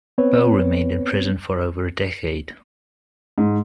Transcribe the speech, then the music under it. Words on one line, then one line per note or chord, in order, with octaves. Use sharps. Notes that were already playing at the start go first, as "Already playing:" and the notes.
Bo remained in prison for over a decade.
B3 C4 B4 C#5
G#2